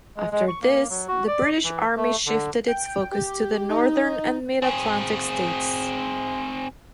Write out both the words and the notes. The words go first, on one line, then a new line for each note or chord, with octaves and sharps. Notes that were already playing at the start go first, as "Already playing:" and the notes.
After this, the British Army shifted its focus to the Northern and Mid-Atlantic states.
G#3
G#3
C#6
A#3
F#3
F#4
D5
E3
A3
D3
G5
G4
D#4
C4 G#4